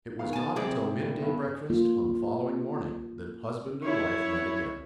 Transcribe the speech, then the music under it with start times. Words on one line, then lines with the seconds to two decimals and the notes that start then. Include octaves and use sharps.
It was not until mid-day breakfast on the following morning that husband and wife met again.
0.19 D#2 B3 F5
0.33 G#5 A5
0.56 C3 C4 G#4 D5
1.03 A#2 G3
1.18 G2 B3
1.70 A#3 F4
3.83 E4 C#5